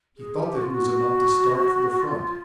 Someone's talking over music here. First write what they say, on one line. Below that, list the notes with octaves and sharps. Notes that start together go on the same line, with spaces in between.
He thought that he was about to start for the front.
G#4
G4
F#4
F4
F#4
F4